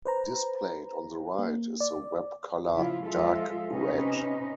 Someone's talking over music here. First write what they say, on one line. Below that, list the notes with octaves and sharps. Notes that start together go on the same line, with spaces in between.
Displayed on the right is the web color dark red.
B4 C5 A#5
A#3
D5
C#3 F3 E4 F4
F3 G#3 F4 A4 E5
C3 C#4 D#4 B4 D#5